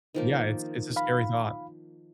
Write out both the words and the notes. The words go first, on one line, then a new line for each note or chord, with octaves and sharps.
Yeah, it's it's a scary thought.
D#3 F3 A#3
F5 B5